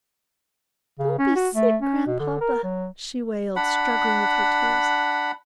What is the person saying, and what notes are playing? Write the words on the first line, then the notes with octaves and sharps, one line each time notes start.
"Don't be sick, Grandpapa," she wailed, struggling with her tears.
C#3
C#4
F#4
A3
C#4
B2
D3
A#4
F#3
D4 F#5 B5